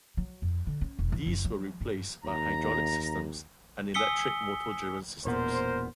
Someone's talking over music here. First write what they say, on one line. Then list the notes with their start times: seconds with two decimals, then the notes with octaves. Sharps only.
These were replaced by hydraulic systems and electric motor-driven systems.
0.17 F#3
0.42 F2
0.67 D3
0.81 C#4
0.99 E1
1.12 E2
1.26 F#1
1.45 F#3
1.81 G2
2.24 D#2 A#5
3.94 G#5 D#6 E6 B6 C#7 G7
5.25 E1 A#2 B3 A#4 C5